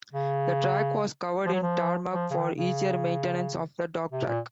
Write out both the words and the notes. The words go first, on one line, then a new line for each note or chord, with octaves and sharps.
The track was covered in tarmac for easier maintenance of the dog track.
C#3
F3
F#3
F3
F3
C#3
D#3
C#3
C3
A#2